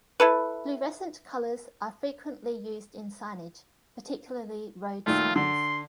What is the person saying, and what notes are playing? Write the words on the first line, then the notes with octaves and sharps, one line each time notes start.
Fluorescent colors are frequently used in signage, particularly road signs.
E4 A4 B4
A#2 D#3 A3 F4
D3 C6